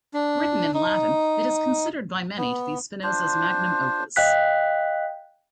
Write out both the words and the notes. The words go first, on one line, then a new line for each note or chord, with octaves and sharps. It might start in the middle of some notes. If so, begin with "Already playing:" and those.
Written in Latin, it is considered by many to be Spinoza's "magnum opus".
D4
D#4
B3
D4 F4 C5
D#5 F5 G5 F#6 B6